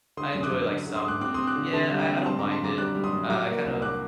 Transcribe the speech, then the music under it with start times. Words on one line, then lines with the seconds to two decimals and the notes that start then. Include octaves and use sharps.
I enjoy like some Yeah, I I don't mind it, uh, I kind of
0.17 D3 C6 D#6
0.33 F#2 D#6
0.43 D6 F#6
0.51 F#2
0.70 D3
0.87 D3
0.95 C6 D#6
1.04 A3 D6 F#6
1.21 C4 D6 F#6
1.34 C4 C6 D#6
1.47 D6 F#6
1.56 D3
1.73 D3 A5 C6
1.91 G3
1.99 G5 A#5
2.08 C4
2.26 G3 A5 C6
2.39 D3 A#5 D6
2.51 A5 C6
2.60 F#2 A#5 D6
2.78 G3 D6 F#6
2.95 G3
3.04 C6 D#6
3.13 F#2
3.30 F#3 A#5 D6
3.47 A#3
3.65 C2
3.82 A#3 D6 F#6